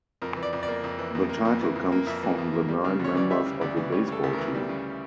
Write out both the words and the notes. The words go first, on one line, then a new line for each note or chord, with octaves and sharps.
The title comes from the nine members of a baseball team.
F2 A#4
E3
D5
F2
D5
A#3
F2
E3
F2
A#3
F2
E3
F2
A#3
F2 E5
E3
F2
A#3
G3
C#3
D2 C#5
E3 D5
G3 E5
C#3
D2 D5
E3
G3 C#5
C#3 A4
D2
E3 A#4
G3
C#3